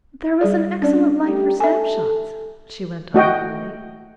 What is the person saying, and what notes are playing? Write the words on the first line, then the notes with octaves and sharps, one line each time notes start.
"There was an excellent light for snapshots," she went on coolly.
G3 G#4 D5
C#4 D4 D5
G3 A3 G4
A4 E5 G#5
A3 F#4 D#5 G5